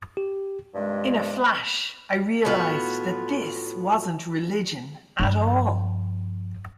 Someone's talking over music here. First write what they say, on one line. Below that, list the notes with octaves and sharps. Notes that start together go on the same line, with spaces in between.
In a flash I realised that this wasn't religion at all.
G4
G2 C3 D#3 F3 G#3
A2 B3 F4 F#4
G2 F3